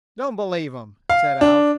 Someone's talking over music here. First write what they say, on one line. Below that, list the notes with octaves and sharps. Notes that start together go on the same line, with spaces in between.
"Don't believe 'em," said Alf.
F5
D4